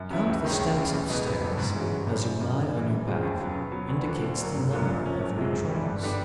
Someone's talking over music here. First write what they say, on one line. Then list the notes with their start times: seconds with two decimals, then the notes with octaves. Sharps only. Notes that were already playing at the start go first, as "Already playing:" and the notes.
To count the steps of stairs, as you lie on your back, indicates the number of your troubles.
Already playing: F#2
0.10 C#3 F#3 B3 E4
0.27 C#2
0.42 C3 D#3 G#3 C#4
0.59 D#2
0.76 C#3 E3 G3
0.92 C#2
1.09 B2 G#3 B3 D#4
1.25 A1
1.41 G2 D3 F#3
1.58 G#2
1.74 E3 G#3 C#4 F#4
1.91 G1
2.07 F#2 D3 G3 C4
2.24 G1
2.40 F#2 C#3
2.57 F#2
2.73 C#3 E3
2.89 F#2
3.07 C#3 F3 G#3 C4
3.23 D#2
3.39 C#3 F#3 B3
3.55 B2
3.72 F#3 B3
3.88 D2
4.05 D3 F3
4.22 D2
4.37 D3 F#3 A#3
4.55 G#1
4.71 F#2 D3 F#3 A#3
4.87 A#2
5.03 F3 A#3 C#4
5.20 F#1
5.36 F2 C3 F3 G#3
5.52 G#2
5.69 E3 G3
5.85 G2
6.02 D3 G3 B3 D4